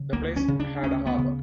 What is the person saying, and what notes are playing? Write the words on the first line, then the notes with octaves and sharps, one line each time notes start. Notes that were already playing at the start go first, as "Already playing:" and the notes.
The place had a harbour.
Already playing: C#3
D2 A#3
C#4
C#3
D4
D2 C#4
B3
C#3